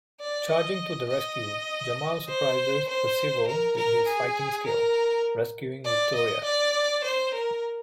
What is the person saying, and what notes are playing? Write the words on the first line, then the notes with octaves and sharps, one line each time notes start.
Charging to the rescue, Jamal surprises Percival with his fighting skills, rescuing Victoria.
D5
D#5
D#5
C5
C5
A#4
A#4
G#4
A#4
D5
D#5
D5
C5
A#4